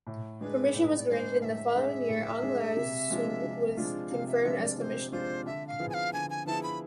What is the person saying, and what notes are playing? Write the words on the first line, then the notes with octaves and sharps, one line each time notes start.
Permission was granted and the following year Ang Lai Soon was confirmed as Commissioner.
A2
G#3 D4 G#4 B4
A2 B4 C5
D5
G#3 D4 G#4 C5 D5
A2 E5 F5
G#3 D4 G#4
A2
G#3 D4 G#4
C3
F3 G#3 D4 F4
C3
F3 G#3 D4 F4
C3 F5
E5
F3 G#3 D4 F4 E5
D5
C3 C5 D5
F3 G#3 D4 F4 C5
D3 E5
F5
F3 B3 E4 G#4
G#5
F5
D3 G#5
G#5
F3 B3 E4 G#4 A5
B5